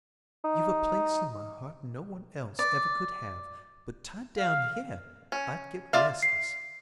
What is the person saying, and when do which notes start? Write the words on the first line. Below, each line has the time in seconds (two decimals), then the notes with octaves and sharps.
You've a place in my heart no one else ever could have, but tied down here I'd get restless.
0.44 D#4
2.59 D5
4.37 F5
5.32 C#4
5.93 F4 D5 E5 F5
6.23 C7